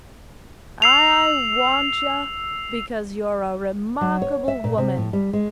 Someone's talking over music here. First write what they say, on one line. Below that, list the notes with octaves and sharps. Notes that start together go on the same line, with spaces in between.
I want yah because you're a remarkable woman.
E6 C7 F7
F#3
C#5
E5
A#2
C3
A2
G3
G#3